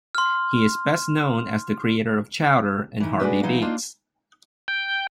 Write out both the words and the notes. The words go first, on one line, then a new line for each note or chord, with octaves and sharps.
He is best known as the creator of "Chowder" and "Harvey Beaks".
C6 F6
D#3 E3
G#3 A3 C4 D4 F#4 B4
E3 F#3 D#4 F5
A#3 D4 D#4 F4
G5